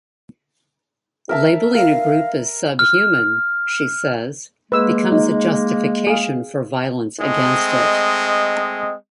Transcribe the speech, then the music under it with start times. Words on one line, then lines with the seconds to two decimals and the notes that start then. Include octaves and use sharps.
Labeling a group as subhuman, she says, becomes a justification for violence against it.
1.29 A#4 E5 A5
1.75 A#4 F5
2.79 F6
4.72 G#3 A#3 B4 E6
5.12 D#4
6.07 G#4 F5
7.20 G#3 A3 C4 D#5